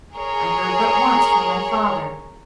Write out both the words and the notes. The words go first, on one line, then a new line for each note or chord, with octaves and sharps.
I heard but once from my father.
G#4 A#4 C#5